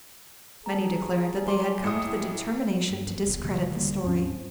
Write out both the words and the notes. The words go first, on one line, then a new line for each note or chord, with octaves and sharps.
Many declared that they had come to the determination to discredit the story.
G#4 A5 A#5
G#3 G#5 C6 D6 G7
A2 D#6 C#7
G2
E1 C2 B2
C3 D#3 G#3
D#1 D3 G3 A#3
D#2 G#2 C4 C#4